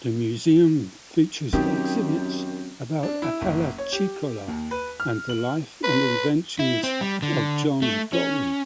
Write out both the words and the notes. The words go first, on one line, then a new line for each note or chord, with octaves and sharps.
The museum features exhibits about Apalachicola and the life and inventions of John Gorrie.
F#2 D#3 C4 G4
D4
E4
F#1
C#5
G4
D#2
B4
F6
F#7
B4
E4
C4
G3
D3
A3
C#4